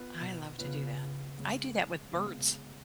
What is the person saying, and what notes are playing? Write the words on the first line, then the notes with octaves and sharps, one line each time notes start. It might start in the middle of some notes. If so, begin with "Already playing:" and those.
I love to do that. I do that with birds.
Already playing: B3 F4 B4
B2
C#3 B3 F4 B4
C#3 G#3 B3
C#3 G#3 B3